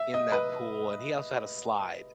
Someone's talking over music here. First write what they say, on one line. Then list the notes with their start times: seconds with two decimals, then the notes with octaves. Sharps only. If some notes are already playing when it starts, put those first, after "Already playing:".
in that pool, and he also had a slide.
Already playing: E5
0.14 D#5
0.32 B4